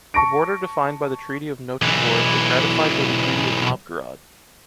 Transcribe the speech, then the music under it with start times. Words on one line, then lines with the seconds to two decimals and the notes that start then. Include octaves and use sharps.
The border defined by the Treaty of Nöteborg was ratified by the Treaty of Novgorod.
0.14 A5 C#6 A#6 D7
1.82 B1 E3